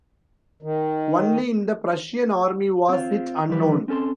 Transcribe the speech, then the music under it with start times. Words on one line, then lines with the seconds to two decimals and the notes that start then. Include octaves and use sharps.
Only in the Prussian Army was it unknown.
0.63 D#3
2.89 C4 F4
3.49 D#3 F3 G3 G4 B4
3.88 C4 C#4 A4 A5 C6